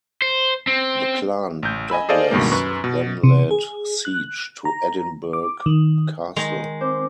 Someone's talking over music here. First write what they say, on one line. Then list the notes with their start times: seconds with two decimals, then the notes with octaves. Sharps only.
The Clan Douglas then laid siege to Edinburgh Castle.
0.22 C5
0.67 C4
1.63 A1 G6
1.90 D#5 G#5 B5 E6
2.09 G#4 A4 C5 D5 D#5 F5
2.31 C#2 G2 B2 D#3 G#3 A#3
2.51 F#2 B4 C#6
2.84 B2
3.23 C3
3.51 G#4
4.05 F#6
4.65 A#5
5.33 D6
5.66 D#3
6.36 D#3 G#3 D#4
6.81 C4 C5 D6